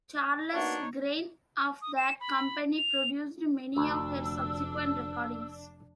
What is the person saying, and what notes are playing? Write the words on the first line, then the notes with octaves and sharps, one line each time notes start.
Charles Grean of that company produced many of her subsequent recordings.
A#3 B3 D4 D#4 F#4 C#5
D#6
E7
B5
F7
F1 D2 D4 E6